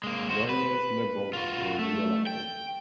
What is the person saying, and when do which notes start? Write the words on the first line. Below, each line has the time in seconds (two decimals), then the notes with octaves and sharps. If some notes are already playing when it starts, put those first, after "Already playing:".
Laurier's Liberals were re-elected.
0.04 G#3 A#3
0.29 F#4 C5
0.49 B4
1.33 F4 F#4
1.79 A3
2.27 G5